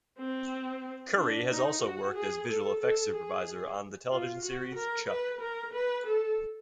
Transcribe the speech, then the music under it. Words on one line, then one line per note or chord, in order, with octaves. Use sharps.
Curry has also worked as visual effects supervisor on the television series "Chuck".
C4
D4
D#4
F#4
G#4
A4
A4
G#4
F4
F#4
A#4
B4
A#4
B4
A4